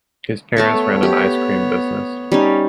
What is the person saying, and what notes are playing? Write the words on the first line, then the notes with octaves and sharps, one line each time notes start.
His parents ran an ice cream business.
A3 B3 C#5 A5 C#6
G4
G3 C#4 D#4